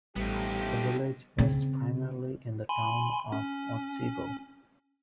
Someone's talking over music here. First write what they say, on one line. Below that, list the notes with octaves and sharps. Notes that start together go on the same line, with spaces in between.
The village rests primarily in the town of Otsego.
A1 F3 G3 A3 B3 D#4 G4
C#3 C4
G#5 B5 C6
C#4